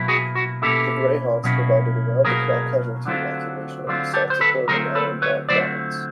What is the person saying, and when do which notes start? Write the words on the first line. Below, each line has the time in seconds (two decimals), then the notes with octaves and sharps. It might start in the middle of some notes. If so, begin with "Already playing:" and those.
The Greyhawks provided around-the-clock casualty evacuation and assault support in Al Anbar Province.
Already playing: B2 F#3 A#3 E4
0.08 F#4 G#4
0.35 F#4
0.62 B2 F#3 A#3 C#4 E4 G4 A4
1.44 B2 F#3 A#3 C#4 E4
2.25 B2 F#3 A#3 C#4 E4 G#4 A#4
3.05 D3 F#3 A3 C4 F4
3.87 D3 F#3 A3 C4 F4
4.14 G4 A4
4.30 C5
4.41 A4 B4
4.68 D3 F#3 A3 C4 F4 G#4 A#4
4.95 A4 B4
5.22 B4 C#5
5.49 D3 F#3 A3 C4 F4 C5 D5